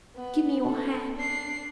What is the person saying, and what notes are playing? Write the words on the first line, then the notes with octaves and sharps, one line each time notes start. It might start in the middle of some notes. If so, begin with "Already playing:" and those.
Give me your hand.
B3
A4
D4 C7